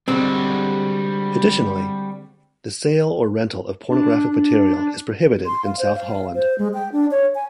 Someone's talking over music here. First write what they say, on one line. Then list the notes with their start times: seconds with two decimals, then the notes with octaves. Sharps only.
Additionally, the sale or rental of pornographic material is prohibited in South Holland.
0.08 D3 G3 G#3 C4 F#4
3.90 D4
4.29 D4
4.74 D4
5.46 C6
5.65 F5
5.79 C5
5.96 F5
6.35 C5
6.58 G#3
6.74 G5
6.92 D4
7.11 C#5
7.35 G#5